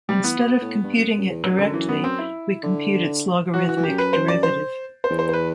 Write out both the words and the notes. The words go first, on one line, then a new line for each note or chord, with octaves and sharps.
Instead of computing it directly, we compute its logarithmic derivative.
C3 G3
E3 B3
B2
A2
G2
F#2
F#2
E2
G2 F#3
F#2
D3
E3
B3
C4
E4
D3
F#3 F#4
E3
F#4
E3
F#2 G4
B4
C5
D5
C5
C5
E2
C5
C5
B4